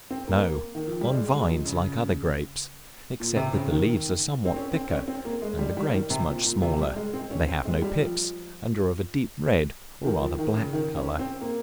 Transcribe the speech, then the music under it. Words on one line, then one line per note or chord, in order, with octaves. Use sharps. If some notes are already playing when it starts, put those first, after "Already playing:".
No, on vines like other grapes, except that the leaves are somewhat thicker, and the grapes much smaller: they have no pips, and are of a deep red, or rather black color.
C4
A#3
D#3
F3
G3
G#3
G#3
F3
C#3
A#2
C3
C#3
D#3
C4
C#4
C4
C#4
C4
A#3
G#3
G3
G3
D#3
C3
A#2
A#2
A#2
C3
G3
G#3
C4
C#4
C4
G#3
G3
F3
D#3
F3
D#3
C#3
D#3
C#4
C4
A#3